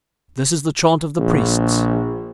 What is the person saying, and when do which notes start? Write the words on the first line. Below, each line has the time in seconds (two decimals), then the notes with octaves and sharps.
This is the chaunt of the Priests.
1.19 A#1